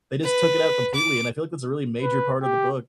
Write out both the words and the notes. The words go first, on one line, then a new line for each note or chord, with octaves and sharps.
they just took it out completely, and I feel like that's a really major part of the book.
B4
D6
B4
G4